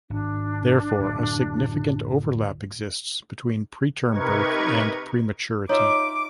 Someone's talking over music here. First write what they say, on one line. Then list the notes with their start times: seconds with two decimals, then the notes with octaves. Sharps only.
Therefore, a significant overlap exists between preterm birth and prematurity.
0.10 G#1 D4
0.99 D1 F#2
4.09 C3 D#4 A#4 B4 C#6 G#6
5.69 D#4 F4 C#5 E5 D6